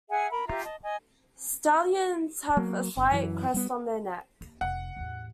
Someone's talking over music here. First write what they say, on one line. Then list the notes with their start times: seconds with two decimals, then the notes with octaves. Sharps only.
Stallions have a slight crest on their neck.
0.10 G#4 E5 F#5 G#5
0.30 A#4 B5
0.47 F4 G4 E5 A#5
0.64 D#5 A5
0.83 D#5 G#5
2.57 F#3 A#3
2.97 G1
3.11 F#2 E3
3.54 G3 B3
4.41 D#2
4.61 F1 F#5
4.96 A1 E2